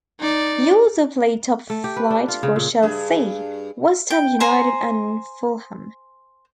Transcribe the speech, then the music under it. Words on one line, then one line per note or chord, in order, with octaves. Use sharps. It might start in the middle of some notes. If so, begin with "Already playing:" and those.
He also played top flight for Chelsea, West Ham United and Fulham.
D#4 D5
A3
G4
B4
D4
F4
C#3
A#2
G2 G#4
G5
C5 G#5 A#5